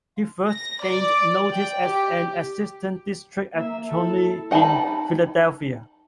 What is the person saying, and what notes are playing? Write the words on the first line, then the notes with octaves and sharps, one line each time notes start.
He first gained notice as an assistant district attorney in Philadelphia.
A#6
D5
G5
G4
A#3 E5
E4 A4
D#4 F#5 G#5 A5 B5